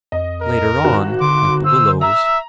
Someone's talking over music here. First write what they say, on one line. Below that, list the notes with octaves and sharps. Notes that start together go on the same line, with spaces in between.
Later on at The Willows....
F2 D#5
A#4
G#1 F#4
D3 C6 D6
C5 E6
E5 A#5 E6